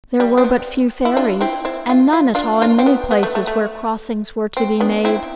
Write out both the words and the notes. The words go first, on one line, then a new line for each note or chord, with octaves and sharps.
There were but few ferries, and none at all in many places where crossings were to be made.
G3
C4
B3
E4
D4 F4
C4 E4
C4 E4
F4
F4
D4 F4
D4 F4
C4
B3
B3
A3
A3
A3
C4
B3 D4
C4 E4